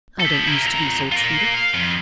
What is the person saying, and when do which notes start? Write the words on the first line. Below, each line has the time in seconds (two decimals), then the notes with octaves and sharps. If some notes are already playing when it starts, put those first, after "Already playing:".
I don't use to be so treated.
0.20 G4 A4
0.48 E4 A#4
0.66 F2 A#5
1.11 F4 A#4
1.54 F5
1.74 F2